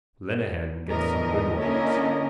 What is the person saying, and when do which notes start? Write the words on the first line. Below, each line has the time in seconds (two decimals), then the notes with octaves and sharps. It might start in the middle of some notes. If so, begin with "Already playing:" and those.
Lenehan gets some good ones.
0.88 E2 A2 D3 E3 A#4 D#5
1.58 D3 A#3 C#4 E4 A#4 D#5